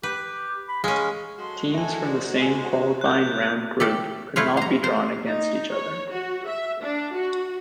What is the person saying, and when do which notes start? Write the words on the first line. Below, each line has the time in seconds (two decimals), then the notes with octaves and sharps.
Teams from the same qualifying round group could not be drawn against each other.
0.03 G4 B4
0.68 B5
0.84 G#3 C#4 F5
1.39 F#3 G#3 F#4 A4 C6
1.74 A4 E5 G#5 C6
2.06 G#4 C5 D5
2.40 G#4 G#5 E6
3.01 A#4 C5 F#6 G6
3.80 A3 G4 A4
4.36 A3 E4 F4 C#5
4.57 C5 A#5
4.84 C5
5.26 D#4
5.74 C#5
6.09 F#4
6.49 E5
6.82 D4
7.16 F#4